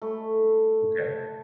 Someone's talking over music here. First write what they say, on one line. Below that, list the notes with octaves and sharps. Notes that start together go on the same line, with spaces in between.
Mm, okay.
A3 B5